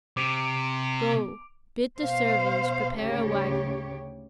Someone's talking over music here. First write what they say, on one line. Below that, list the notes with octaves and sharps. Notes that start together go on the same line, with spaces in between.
"Go, bid the servants prepare a wagon."
C3 D6 D7 F7
B2 C5 F5
D2 G#2 C#3 G4 C#5